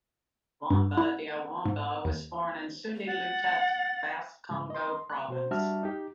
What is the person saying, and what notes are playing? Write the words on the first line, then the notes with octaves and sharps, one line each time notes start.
Wamba dia Wamba was born in Sundi-Lutete, Bas-Congo Province.
G2
E4
G#2
D#2
F#5 A6
G#2 C#3 G#3
D#5 C6
F#6
B2 F#4 C5
G3 D4 F#4 E5 A5 F6
D#4 G4